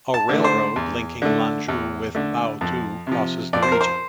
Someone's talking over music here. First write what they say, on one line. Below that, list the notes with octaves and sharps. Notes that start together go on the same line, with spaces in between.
A railroad, linking Lanzhou with Baotou, crosses the region.
A5
D3 A3
C5
E2
D3 A3
E2
D3 A3
F2
C3 F3
F2 D5
C5
A#4
C5